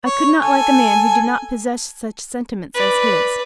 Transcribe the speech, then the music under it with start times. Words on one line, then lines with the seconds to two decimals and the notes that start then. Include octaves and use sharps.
I could not like a man who did not possess such sentiments as his.
0.05 C#5
0.41 A4 G#5
2.74 B4 D5